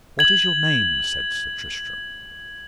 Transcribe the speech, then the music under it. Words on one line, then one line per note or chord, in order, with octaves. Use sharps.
What is your name? said Sir Tristram.
G#6 F#7